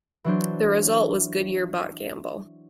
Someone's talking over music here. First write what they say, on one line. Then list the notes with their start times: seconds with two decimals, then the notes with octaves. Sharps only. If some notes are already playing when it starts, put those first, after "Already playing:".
The result was Goodyear bought Gamble.
0.24 E3 F#3 D4 C5